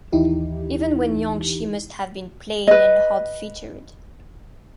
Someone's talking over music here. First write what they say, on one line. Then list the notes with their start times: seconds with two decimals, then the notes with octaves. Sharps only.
Even when young she must have been plain and hard-featured.
0.12 D#2 E3 D#4 E4 G4
2.68 B4 D#5